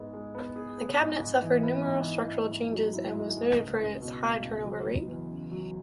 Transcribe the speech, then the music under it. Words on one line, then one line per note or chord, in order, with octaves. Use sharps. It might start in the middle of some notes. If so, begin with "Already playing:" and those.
The cabinet suffered numerous structural changes and was noted for its high turnover rate.
Already playing: G#2 B3 G#4
G#3
B3
G#4
B3
G#2
G#2
E3
B3
G#2
E4
G#2
G#2
F#3
E4
G#2
G#3
C#2
C#2
B2
G#3
C#2
F#3
B3
E2
C#3
F#3